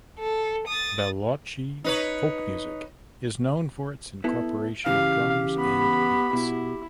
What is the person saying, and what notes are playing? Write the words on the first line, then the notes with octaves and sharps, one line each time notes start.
Balochi folk music is known for its incorporation of drums and beats.
A4
D#6 A6
D#4 B4 C#5
B3 E4 A4
C#3 E3 G4 F5
B3 B5
B2 E4